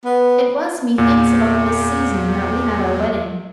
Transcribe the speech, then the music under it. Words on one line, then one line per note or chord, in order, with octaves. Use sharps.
It was, methinks about this season that we had our wedding.'
B3
E2 A#2